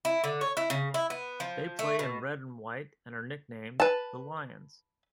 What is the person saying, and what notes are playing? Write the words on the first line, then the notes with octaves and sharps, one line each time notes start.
They play in red and white and are nicknamed "The Lions".
E4
D3
C#5
E4
C#3
E4
B3
F3
A3
B2
B4 A5